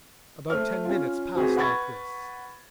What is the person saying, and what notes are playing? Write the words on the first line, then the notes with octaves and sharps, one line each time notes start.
About ten minutes passed like this.
A3 C5 F6
C#4 F4
C4 F#4 G#4 B4
B4 F#5 B5 C#6 G#6 A6